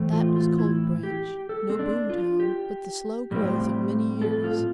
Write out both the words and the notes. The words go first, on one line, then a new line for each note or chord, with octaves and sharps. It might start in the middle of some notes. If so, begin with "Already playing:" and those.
That was Cold Branch--no boom town, but the slow growth of many years.
Already playing: A2 E3 A3 C4
F4
F4
E4
G4
A4
C4
D4
F4
G4
A2 G3 C4
A4
F4